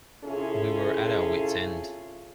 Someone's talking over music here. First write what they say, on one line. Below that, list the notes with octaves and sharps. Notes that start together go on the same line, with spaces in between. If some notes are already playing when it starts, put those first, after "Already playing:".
We were at our wits' end.
C3 C#4 E4 F4 G#4 A4